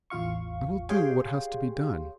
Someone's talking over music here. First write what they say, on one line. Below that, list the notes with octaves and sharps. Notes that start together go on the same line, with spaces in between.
"I will do what has to be done."
A1 E2 F4 F5 C#6
G4 G#4 C#5 F5 G5 C6